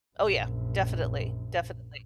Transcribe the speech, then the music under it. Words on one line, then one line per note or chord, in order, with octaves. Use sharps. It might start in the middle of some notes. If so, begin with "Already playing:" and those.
Oh, yeah. Definitely. Definitely.
A#1 F#2